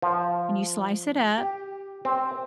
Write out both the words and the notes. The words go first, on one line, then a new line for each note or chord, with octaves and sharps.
and you slice it up
F3
G4
C4